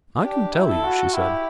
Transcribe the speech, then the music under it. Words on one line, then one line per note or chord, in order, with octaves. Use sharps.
"I can tell you," she said.
D4 G4
E4
A4
F#4
E4 G4